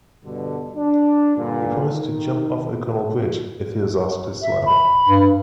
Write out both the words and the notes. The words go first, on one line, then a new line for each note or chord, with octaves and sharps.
He promised to "jump off O'Connell Bridge" if he was asked to smile.
G2 B2 D3
D4
G2 A#2 D3
D#3
E5
B5
G2